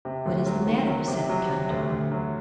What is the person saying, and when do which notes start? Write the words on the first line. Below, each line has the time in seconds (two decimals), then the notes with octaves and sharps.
"What is the matter?" said the count.
0.05 C3
0.26 D2
0.46 F#3
0.67 D#3
0.87 F#3
1.08 C3
1.30 F#3
1.49 C3
1.70 D2
1.90 D2
2.12 F#3